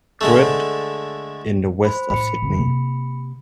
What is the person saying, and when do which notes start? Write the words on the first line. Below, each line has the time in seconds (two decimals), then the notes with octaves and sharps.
Druitt in the west of Sydney.
0.21 D3 G#3 A3
1.85 C5 B5
2.10 A2 B5 C#7
2.42 F2 D3
2.57 C3 A#3